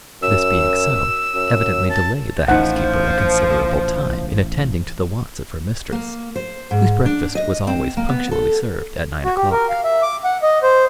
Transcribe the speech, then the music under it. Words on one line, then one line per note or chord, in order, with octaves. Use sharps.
This being so, evidently delayed the housekeeper a considerable time in attending to the wants of her mistress, whose breakfast was always punctually served at nine o'clock.
F#2 E6
F#2
A5
A1 F3 D#4 C5 F#5
A#3
C5
G#2
D4
D#5
C4
A#3
B3
A4
F#4
G4
A#4
F5
E5
D6
F#5
D#5
C5